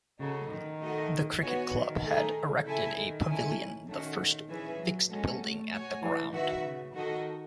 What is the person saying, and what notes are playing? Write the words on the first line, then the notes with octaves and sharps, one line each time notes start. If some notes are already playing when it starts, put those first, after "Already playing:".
The cricket club had erected a pavilion, the first fixed building at the ground.
C#3 D#4 F#4 A4
D#3
A3 D#4 F#4 A4 D#5
B3 F#4 C#5 G#5
D#3
A3 D#4 G#4
C#3 E4 A4 E5 G#5
D#3
C#4 E4 A4 C#5 G#5
D#3 A3 C#4 F#4
E3 C#4 G#4 B4 E5 G#5
F#3
G#3 C#4 F#4 A4
A3
F#4 C#5 G#5
E3
D#3 F#4 B4 E5
C#3
D#3 F#4 A4 D#5